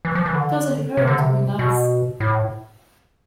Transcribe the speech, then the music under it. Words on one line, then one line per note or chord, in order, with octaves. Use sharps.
It doesn't hurt to be nice.
E3
F3
E3
D3
C3
D3
C3
B2
A2